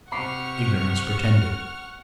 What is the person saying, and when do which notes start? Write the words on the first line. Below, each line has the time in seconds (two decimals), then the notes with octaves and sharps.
Ignorance pretended.
0.12 C3 F#5 B5 C#6 D6 F6 C7